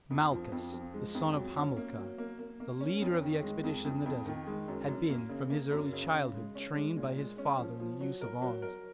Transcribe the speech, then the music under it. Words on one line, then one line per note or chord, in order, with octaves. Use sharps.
Malchus, the son of Hamilcar, the leader of the expedition in the desert, had been, from his early childhood, trained by his father in the use of arms.
F2
F3
F2
F3
G#3
F2
F#3
C#4
A#3
F#3
A#3
A#3
A#3
C#4
F2
D#3
G#3
F2
F2
F2
D#3
G#3
F#2
F#2
A#3
C#3
A#3
F#2
C#3
C#3
G#3
C#4
G#3
A#2
G#3
C#4
F3
F3
F#3
A#4
F#3
A#4